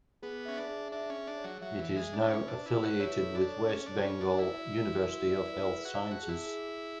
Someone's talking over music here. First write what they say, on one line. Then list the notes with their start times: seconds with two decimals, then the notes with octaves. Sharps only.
It is now affiliated with West Bengal University of Health Sciences.
0.23 B3 G#4
0.46 C#4 E5
0.57 D4
0.69 G#4
0.92 D4 E5
1.10 C#4
1.15 G#4
1.27 D4
1.38 C#5
1.44 F#3
1.61 F#3 E5
1.79 E3
1.85 E5
1.96 G#3
2.07 E5
2.13 D4
2.30 C#4 B4
2.48 D4
2.54 A5
2.66 E4
2.77 B4
2.83 F#4
3.00 E4 C#5
3.22 A4
3.35 D4
3.46 C#5
3.69 C#4 A4
3.86 D4
3.92 C#5
4.04 C#4
4.15 C#5
4.21 D4
4.38 E4 D5
4.61 F#4
4.84 F#4
5.07 F#4
5.30 D5
5.53 B4
5.77 G#4
5.85 F#4
5.94 E4
6.00 A5
6.11 F#4
6.23 G#4
6.29 E4
6.46 G#4
6.69 G#4